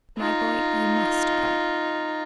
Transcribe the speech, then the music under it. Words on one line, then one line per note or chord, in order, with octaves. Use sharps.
'My boy, you must go.
D#4 F4